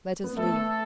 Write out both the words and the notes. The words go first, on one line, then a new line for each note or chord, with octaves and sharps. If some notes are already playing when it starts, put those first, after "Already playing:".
Let us live.
B3
A3 A4